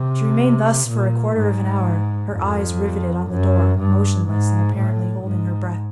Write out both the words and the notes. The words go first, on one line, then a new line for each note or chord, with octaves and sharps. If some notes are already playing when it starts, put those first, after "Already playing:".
She remained thus for a quarter of an hour, her eyes riveted on the door, motionless and apparently holding her breath.
Already playing: C3
A#2
G#2
F2
F#2
G2
G#2
A2
G#2